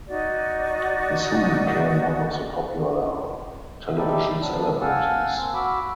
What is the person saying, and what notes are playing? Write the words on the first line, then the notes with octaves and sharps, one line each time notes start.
He soon became one of the popular television celebrities.
D#4 F#4 D5
D#4 E4 G4 A4 D5
F3 F#3 B3 D4
F5 F#5 G#5 A5 E6
A#3 C4
F#4 B5 D6 E6